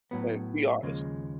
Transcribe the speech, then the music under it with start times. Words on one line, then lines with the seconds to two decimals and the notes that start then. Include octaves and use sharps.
Like, be honest.
0.11 A2 F#3 B3
0.83 D#2 C#3 F3 G#3